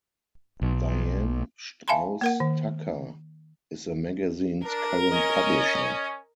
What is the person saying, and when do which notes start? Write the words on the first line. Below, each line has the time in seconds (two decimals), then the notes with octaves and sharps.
Diane Straus Tucker is the magazine's current publisher.
0.62 B1
1.88 E5 F5 G#5 A5 B5 C6
2.21 A#3 A#4 F#5
2.40 D#3
4.64 D4 A#4
5.12 C#4 D#5